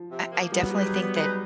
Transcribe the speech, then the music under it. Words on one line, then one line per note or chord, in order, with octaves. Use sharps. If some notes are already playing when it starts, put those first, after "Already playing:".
I I definitely think that
Already playing: F3
C3
F3 A#3
G3 B3
F#3
G3 D#4 G#4 B4
B3
D#4 G#4 B4